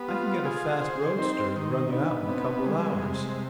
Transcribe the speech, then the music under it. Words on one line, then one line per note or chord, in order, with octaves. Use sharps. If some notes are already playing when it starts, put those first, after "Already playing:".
I can get a fast roadster and run you out in a couple of hours.
Already playing: B3 G4
F4
G#4
C5
C4 D#4
D#3
D4
B3 D#4
B2 C4
G3 G#3
C3